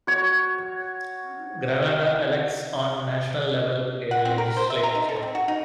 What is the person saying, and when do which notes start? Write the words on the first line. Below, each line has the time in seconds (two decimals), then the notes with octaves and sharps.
Grenada elects on national level a legislature.
0.07 F#4 C#5
4.11 F#5
4.25 C4
4.38 A#4
4.57 C5
4.70 E5
4.83 A#5
4.95 D#4
5.09 A4
5.23 C4
5.35 F#4
5.48 D#4